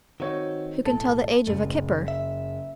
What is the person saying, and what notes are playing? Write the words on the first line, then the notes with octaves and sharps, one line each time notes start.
Who can tell the age of a kipper? . . .
D#3 C4 D#4 F#4 C#5
B1 A2 A4 A5
F#1 A#2 A3
E5